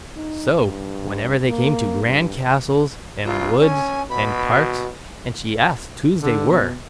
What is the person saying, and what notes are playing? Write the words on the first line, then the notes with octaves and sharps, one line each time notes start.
So, whenever they came to grand castles, and woods, and parks, and she asked whose they were?
D#4
G2
A#3
G2
C2 F4
C#4 G#5
B2 B5
F#4
D3
B2